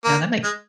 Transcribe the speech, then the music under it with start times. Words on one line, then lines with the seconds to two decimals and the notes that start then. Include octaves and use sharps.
Yeah, that makes
0.04 A#3
0.44 G#3